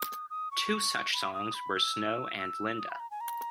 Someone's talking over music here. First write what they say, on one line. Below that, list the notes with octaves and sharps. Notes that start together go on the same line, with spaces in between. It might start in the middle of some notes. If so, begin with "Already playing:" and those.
Two such songs were "Snow" and "Linda".
Already playing: D#6
D#6
C#6
B5
D#6
B5
E6
E6
D#6
B5
A#5
G#5
A#5